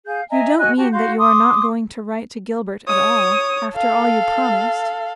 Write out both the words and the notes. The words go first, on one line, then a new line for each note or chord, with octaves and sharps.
"You don't mean that you are not going to write to Gilbert at all--after all you promised?"
G#4 F5 G6
D#5 E5 G#5 A#5
F#4 D#5 G#5 F#6
F#4 G4 A5
F#4 F5 C6 G6
C6 D6 D#6
C#5 D#6
A4 F5